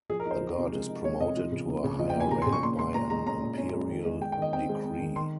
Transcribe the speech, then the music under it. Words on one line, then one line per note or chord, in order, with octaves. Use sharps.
The god is promoted to a higher rank by an imperial decree.
F3 G#4
A#4
D#4
C5
F3
C3
G#3
D#4
G#3 C#5
C3 D#5
F3
C#3
A#3
C#3
F3 D#5
G5
A#3
G#5
C#3 A#5
C6
C#3
C#6
A#2 C6
G#3 C6
A#2 A#5
G#3 A#5
C#4 A#5
A#2
C#4
G#3
D#3
G#3
G#3 G5
G5
D#3 D#5
C4 G5
G#3
C4
D#3
D#3 C6